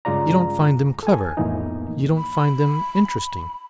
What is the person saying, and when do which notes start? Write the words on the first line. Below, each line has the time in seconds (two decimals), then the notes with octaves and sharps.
"You don't find them clever; you don't find them interesting."
0.05 G2 C#3 G#3 F4 D5 A#5
1.03 A4 G#5
1.37 F2 A2 E3 A#3 B3 D#4
2.17 B5